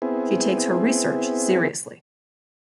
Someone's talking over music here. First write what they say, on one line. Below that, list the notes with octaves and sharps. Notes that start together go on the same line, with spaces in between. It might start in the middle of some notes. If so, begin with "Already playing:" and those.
She takes her research seriously.
B3 C4 E4 G#4